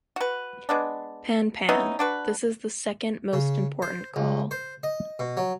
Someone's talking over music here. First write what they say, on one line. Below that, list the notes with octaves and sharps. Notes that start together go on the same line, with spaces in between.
Pan-pan: This is the second most important call.
F#4 B4
G#3 B3 D4
B3 C#4 D#4 E4
D4 F#4 B4
C#3
C5
C#2
C5
D#5
B2
F#3